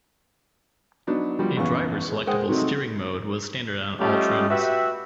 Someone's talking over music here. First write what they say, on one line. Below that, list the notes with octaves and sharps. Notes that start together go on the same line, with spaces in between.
A Driver Selectable Steering Mode was standard on all trims.
F#3 B3 D4 D#4
F3 G3 B3 F#4
A#1 F#2 E3 B3 F5 C#6
G#3
G#3 A#4 C5 F#5 G5 D#6
C3 F#3 A3 C4 D#4
G3 A3 C#4 F4 G4 D#5
F#4 G4 B4 E5